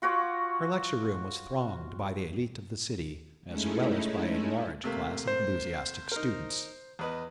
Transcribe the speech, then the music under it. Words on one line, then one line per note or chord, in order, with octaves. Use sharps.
Her lecture room was thronged by the elite of the city, as well as by a large class of enthusiastic students.
F4 F#4 C#5 D6
G#3 A3 C#4 D#4 E4
C3 A3 A#3
C5
D#4 A#4
E2 B4 D#5